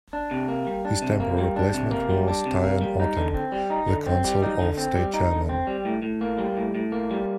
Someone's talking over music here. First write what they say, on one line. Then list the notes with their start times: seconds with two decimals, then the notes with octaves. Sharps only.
His temporary replacement was Tion Otang, the Council of State chairman.
0.13 D4
0.31 C3
0.48 A#3
0.67 G3
0.85 D4
1.02 C3
1.20 A#3
1.38 G3
1.56 D4
1.74 C3
1.91 A#3
2.10 G3
2.28 D4
2.46 C3
2.64 A#3
2.81 G3
3.00 D#4
3.17 D3
3.34 C4
3.52 G3
3.70 D#4
3.88 D3
4.06 C4
4.24 G3
4.42 D#4
4.60 D3
4.77 C4
4.95 G3
5.14 D#4
5.32 D3
5.49 C4
5.67 G3
5.85 A2
6.02 A2
6.21 A#3
6.38 G3
6.57 A2
6.75 A2
6.92 A#3
7.11 G3